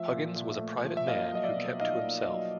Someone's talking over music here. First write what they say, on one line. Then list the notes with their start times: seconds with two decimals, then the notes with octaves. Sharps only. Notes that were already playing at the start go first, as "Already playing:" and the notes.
Huggins was a private man who kept to himself.
Already playing: F3 A3 E5
0.12 A#2
0.36 A#2
0.59 A3
0.84 F3
0.97 E5
1.08 A#3 D#5 F5
1.33 F#3 D#5
1.44 D5 E5
1.56 B2
1.80 D#4 D#5 F5
2.04 A#3
2.28 F#3